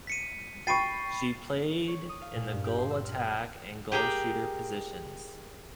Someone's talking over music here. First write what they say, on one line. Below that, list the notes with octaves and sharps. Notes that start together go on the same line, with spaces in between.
She played in the goal attack and goal shooter positions.
B6 C#7 D#7
G5 B5 C#6 A6 C7 D#7
C#5
D#6
F5
A#2
G2
G4
C6
E6
F6
F6
G4 G#4 A#4 G5